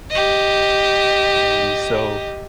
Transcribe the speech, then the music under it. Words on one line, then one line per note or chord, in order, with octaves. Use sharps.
and so
G4 D#5